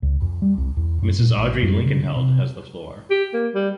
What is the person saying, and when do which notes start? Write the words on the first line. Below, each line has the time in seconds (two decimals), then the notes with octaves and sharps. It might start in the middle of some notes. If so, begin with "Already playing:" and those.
Mrs. Audrey Linkenheld has the floor.
0.02 C#2
0.22 F2
0.42 G3
0.58 C2
0.77 E2
1.02 F#2
1.18 A#2
1.37 A1
1.62 F#2
1.85 C#3
2.04 C#3
2.16 C3
3.11 G4
3.33 A#3
3.55 G3